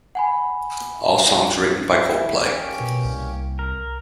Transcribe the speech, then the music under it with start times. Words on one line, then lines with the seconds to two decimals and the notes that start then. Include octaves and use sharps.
All songs written by Coldplay.
0.15 F#5 G#5 B5
1.91 E4
2.48 A#3 C#4 G4
2.80 B2
3.05 C2
3.59 A#4